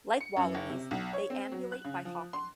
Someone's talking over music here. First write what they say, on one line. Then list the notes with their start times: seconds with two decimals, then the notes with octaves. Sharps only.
Like wallabies, they ambulate by hopping.
0.21 C#7
0.36 F#2
0.55 F#1
0.69 C3
0.91 B1
1.13 C#5
1.30 C4
1.52 F#3
1.72 F#6
1.84 C#3
2.05 F3
2.33 C6